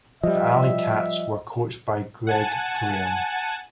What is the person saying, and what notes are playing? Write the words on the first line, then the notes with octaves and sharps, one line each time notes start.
The Alley Cats were coached by Greg Graham.
F3 G3 D#5 E5
F#5 G#5 A5